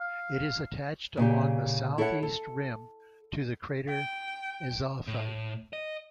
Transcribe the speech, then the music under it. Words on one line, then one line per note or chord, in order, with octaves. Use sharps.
It is attached along the southeast rim to the crater Azophi.
F5
A#2 C#3 G4
E4 A4 C#5 D5 F#5
A4
G5
A2
D#5